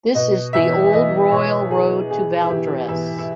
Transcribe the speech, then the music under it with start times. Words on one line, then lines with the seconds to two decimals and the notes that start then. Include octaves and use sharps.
This is the old royal road to Valdres.
0.15 B2 D#5
0.53 E2 E5
0.92 E2 D#5
1.31 B2 C#5
1.71 E3 G#4
2.10 E3 G#4
2.44 E4
2.49 E2 G4
2.88 E2 E4
3.18 E4